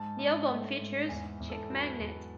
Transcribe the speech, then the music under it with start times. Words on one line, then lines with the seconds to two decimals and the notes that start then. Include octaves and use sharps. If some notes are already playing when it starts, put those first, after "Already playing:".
The album features "Chick Magnet".
Already playing: G#2 A5
0.19 G#2
0.50 A3
0.79 G#2
1.09 E2 G#5
1.40 E2
1.50 A4
1.70 F#3 B4
2.00 E2